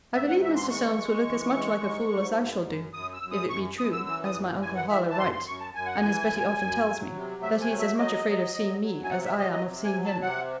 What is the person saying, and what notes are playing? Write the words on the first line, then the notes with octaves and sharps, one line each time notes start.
I believe Mr. Solmes will look as much like a fool as I shall do, if it be true, as my uncle Harlowe writes, and as Betty often tells me, that he is as much afraid of seeing me, as I am of seeing him.
G#2 E5
F#5
E3 E5
C6
G#3 C#6
G#3
E3
G#3
G#2
G#2
F#2
F#2
F#2 D#6
E6
F#2
D#6
F#2 C#6
F#2 D#6
E6
E3 E6
D#6
F#2
E3 G#5
F#5
E3 E5
A5
F#2 C6
C6
F#2 C#6
A5
F#2 G#5
F#5
E3 G#5
F#2
F#2
F#3
C3
A3 E5
G#5
F#3
E5
F#3 D#5
F#3
F#3
F#3
G#5
C3 F#5
E5
F#3 D#5
D#5
C3
G#5
F#3
A5
C3 F#5